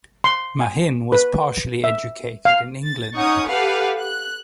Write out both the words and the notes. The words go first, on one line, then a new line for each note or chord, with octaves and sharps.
Mahin was partially educated in England.
C6
G#5
B4
E5
F5
A6
C#4 D#4 F#5 C#6 D#6
G4 A4 B4 F5 F#5
F#6